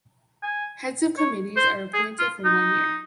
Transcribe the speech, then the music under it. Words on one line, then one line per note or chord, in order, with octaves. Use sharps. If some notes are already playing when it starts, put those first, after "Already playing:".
Heads of committees are appointed for one year.
G#5
C#5
C5
G#4
F4
D#4